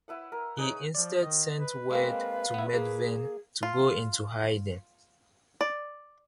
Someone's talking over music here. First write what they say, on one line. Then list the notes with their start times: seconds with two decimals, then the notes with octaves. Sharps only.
He instead sent word to Methven to go into hiding.
0.08 E4 B4 F#5
0.32 A#4
0.57 C#4 D#4 G#4 B4
0.95 F3 D5
1.23 D#3 D#5
1.60 B4
1.91 G#3 A#3 C4 F5
2.54 B3 E4
2.73 A#3 G#4
3.63 F4
5.61 D5